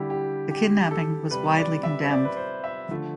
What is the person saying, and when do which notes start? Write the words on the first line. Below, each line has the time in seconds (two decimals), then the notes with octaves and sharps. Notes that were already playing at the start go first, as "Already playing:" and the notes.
The kidnapping was widely condemned.
Already playing: D3 G3 E4 G4
0.10 G4
0.51 G4
0.91 A4
1.30 C3 G3 B4
1.57 D5
1.83 E5
2.01 C5
2.10 D5
2.25 B4
2.37 C5
2.64 E5
2.91 D3 F3 A3